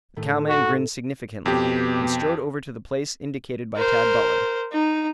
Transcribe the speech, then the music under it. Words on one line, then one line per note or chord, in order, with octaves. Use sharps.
The cowman grinned significantly, and strode over to the place indicated by Tad Butler.
A2 D#3 A3
F#4
F2 B2 G4
A#4 C5
D#4